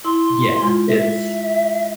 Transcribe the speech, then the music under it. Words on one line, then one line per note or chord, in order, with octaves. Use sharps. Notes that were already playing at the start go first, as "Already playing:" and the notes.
Yeah, it's
E4 C6
G#3 F4
E5